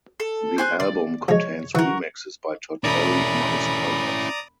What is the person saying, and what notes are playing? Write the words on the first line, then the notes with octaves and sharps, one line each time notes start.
The album contains remixes by Todd Terry amongst others.
A4
C5 G#5 F#6
D5 C6
F3 G#3 C#5
E3 F#4 A#4
E1 C#4 E4 D5 A#5 B5 D#6